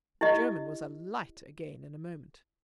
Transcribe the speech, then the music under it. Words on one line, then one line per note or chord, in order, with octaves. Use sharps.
The German was alight again in a moment.
E4 G4 D#5